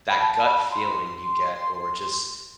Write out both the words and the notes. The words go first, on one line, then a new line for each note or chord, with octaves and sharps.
that gut feeling you get or just
B5
A5
A5
B5
C6